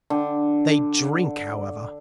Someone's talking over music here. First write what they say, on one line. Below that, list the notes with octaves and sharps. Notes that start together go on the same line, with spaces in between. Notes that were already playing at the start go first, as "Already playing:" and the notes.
They drink, however.
D3 G5